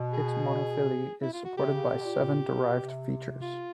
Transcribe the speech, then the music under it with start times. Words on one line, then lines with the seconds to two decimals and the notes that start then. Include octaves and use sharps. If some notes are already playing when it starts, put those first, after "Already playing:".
Its monophyly is supported by seven derived features.
Already playing: B2
0.13 G#4
1.22 E4
1.33 F4
1.45 F#4
1.57 C3 G4
1.72 C#3
1.88 D3
1.99 B2
2.03 A#2
2.19 A#2
2.49 B2
2.80 C3
3.42 F4